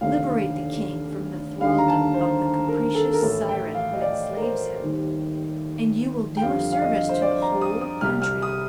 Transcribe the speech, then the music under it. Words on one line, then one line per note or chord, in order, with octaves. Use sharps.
Liberate the king from the thraldom of the capricious siren who enslaves him, and you will do a service to the whole country.
F1 D#2 D3 F5
D#2 D3 G3 F5
A#5
A5
C5
A#4
A4
A#4
A1 A2 A3 A4
G5
F5
D#5
D5
A#4
C5
D#2 D#3 G3
G5
F2 D3 G3 F5
F5
D#5
C5
D5
A#5
D#6
D#6
C2 C3 G3 F6
F6
D#6